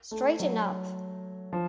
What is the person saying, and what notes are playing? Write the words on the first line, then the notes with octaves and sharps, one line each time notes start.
Straighten Up!
A3
F#3
F3